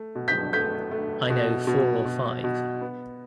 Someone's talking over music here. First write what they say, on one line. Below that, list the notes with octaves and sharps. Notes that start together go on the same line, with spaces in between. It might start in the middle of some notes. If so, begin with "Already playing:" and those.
I know four or five.
Already playing: A3
B2
G6 B6
A3 G6 B6
A3
B2
B2
B2
B2
B3